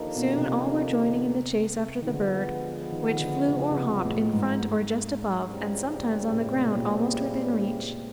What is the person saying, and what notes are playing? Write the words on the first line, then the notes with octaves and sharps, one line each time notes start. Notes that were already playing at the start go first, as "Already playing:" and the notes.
Soon all were joining in the chase after the bird, which flew or hopped in front or just above, and sometimes on the ground almost within reach.
Already playing: D#2 D3 F3 A#3 D#4
B2
B2
C3
D#3
D3 F3 G#3 B3
D#3
D#3
D3
C#3
C#3
C3
A2
A2
G#2
G#2
C#2 C#3 E3 G3 C4
A2
C3
B2
A#2